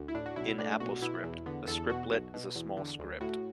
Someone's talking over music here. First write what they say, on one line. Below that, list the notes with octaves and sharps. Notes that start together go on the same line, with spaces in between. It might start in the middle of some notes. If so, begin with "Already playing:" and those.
In AppleScript, a scriptlet is a small script.
Already playing: D2
E4
A2 D4
F#4
B1 E4
A2 D4
B1 F#4
B2 E4
E2
D3 B3
E2 A4
B2 F#4
B1
B2
E2
D3
D2
A2 F#4